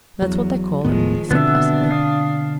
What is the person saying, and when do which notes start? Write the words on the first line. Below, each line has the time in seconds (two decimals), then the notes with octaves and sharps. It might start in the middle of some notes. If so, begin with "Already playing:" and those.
"That's what they call it," he said, placidly.
0.22 E2 F#3
0.85 D#1 A2 D#3 F3 G#3 B3
1.31 B2 D3 B3 C4 D4 F#4 E5
1.91 F5 D#6